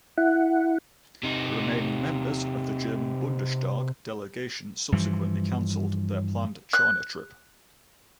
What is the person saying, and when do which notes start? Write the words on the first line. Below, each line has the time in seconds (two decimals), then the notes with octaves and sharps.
The remaining members of the German Bundestag delegation subsequently cancelled their planned China trip.
0.18 E4 F#5
1.24 C3 D#4
4.92 G2 E3 F3
6.73 F#6